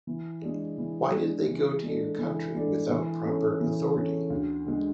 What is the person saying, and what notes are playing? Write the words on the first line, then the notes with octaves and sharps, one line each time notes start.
Why did they go to your country without proper authority?
E3
G#3 D4 G#4
E3
G#3 D4 G#4
E3
G#3 D4 A4
E3
G#3 D4 A4
E3
A3 C#4 G#4
E3
A3 C#4 G#4
D2
D3 G#3